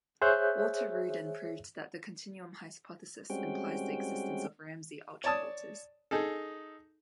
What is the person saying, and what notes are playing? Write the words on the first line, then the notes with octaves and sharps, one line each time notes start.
Walter Rudin proved that the continuum hypothesis implies the existence of Ramsey ultrafilters.
G#4 C5 C#5 E5 F#6 G6
G3 G#3 C4 C#4 F#4 G5
C#5 D5 A5 D#6
D#4 G#4 A4